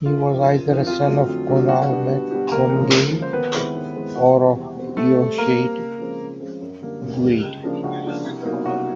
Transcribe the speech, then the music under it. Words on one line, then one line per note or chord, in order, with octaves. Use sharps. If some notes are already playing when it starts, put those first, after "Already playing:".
He was either a son of Conall mac Comgaill or of Eochaid Buide.
F#2 F4
C#3 F3
F#2
C#3 F3
F2 F4
D3 F#3 A3 D4
F2
D3 F#3 A3 D4
B2 F#4
G3 B3 D4 G4
B2
G3 B3 D4 G4
D2 A#3 A#4
C#3 F3 G#3
D2
C#3 F3 G#3
C5
D#2 B3 B4
D#3 G#3 C4 E4
D#2
D#3 G#3 C4 E4
E2 F#4
B2 G3 C4
E2
B2 G3 C4
B2 A3 A4
C4
G3
B2 A#3 A#4
G3 C4
C#2
C#3 F3 G#3 C4
C#2
C#3 F3 G#3 C4
F#2
D3 G3 A#3
F#2
D3 G3 A#3
C#2
C#3 F3 A#3 D4
C#2 F#4
C#3 F3 A#3 D4
C2
B2 F#3 A#3 D#4
C2 F#4